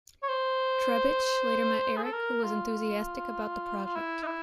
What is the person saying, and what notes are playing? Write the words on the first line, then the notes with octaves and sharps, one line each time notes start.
Trebitsch later met Erich, who was enthusiastic about the project.
C#5
C5
G#4
A4
A#4
F4
F4
E4
D#4
E4